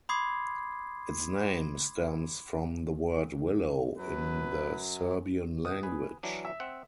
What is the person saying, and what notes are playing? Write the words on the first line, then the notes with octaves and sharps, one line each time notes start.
Its name stems from the word "Willow" in the Serbian language.
B5 C6 D6 D#6 G#6 C7
F#2 F#3 B4
B2 D#6
G#4 B4
E3 F#3 D4
E5
C4 F#5